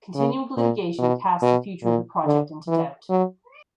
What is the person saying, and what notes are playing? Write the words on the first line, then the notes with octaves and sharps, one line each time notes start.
Continuing litigation cast the future of the project into doubt.
C#3
A#2
B2
B2
A#2
D3
E3
F#3